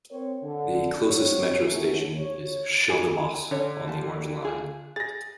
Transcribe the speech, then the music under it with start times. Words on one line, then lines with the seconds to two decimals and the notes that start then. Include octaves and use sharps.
The closest Metro station is Champ-de-Mars, on the Orange Line.
0.11 C4 A#4 C#5
0.42 D3
1.06 F#3 C4 C#5
1.58 F#2 B2 F#3 A3 A#3
2.17 C#5
2.90 G#5
3.51 D3 C#4 C#5
3.88 F3 A5
4.42 F4 G#4
4.96 G#4 A6 A#6